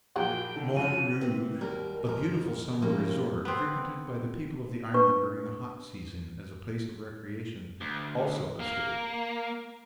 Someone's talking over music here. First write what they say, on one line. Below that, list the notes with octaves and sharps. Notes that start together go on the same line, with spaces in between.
Morne Rouge, a beautiful summer resort, frequented by the people of the island during the hot season as a place of recreation, also escaped.
A#1 F#3 A#3 G#4 F#5 G5
D3
G#1 F3 F#4 D#7
E3 C4
D#2 G3 F#4 A#4
F2 G#2 A#4
A2 C#3 F3 G3 A#3 D#4
B3 C4
D4 B4 C#6
D2
A#3